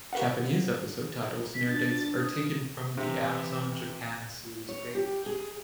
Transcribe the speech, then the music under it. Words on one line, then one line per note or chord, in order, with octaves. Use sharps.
Japanese episode titles and airdates are taken from The Amazon Japan series page.
F#4 A#4 B4 F5 F#5
B6
D4 A6
D#6
C3 E3
C#5
G4
G#4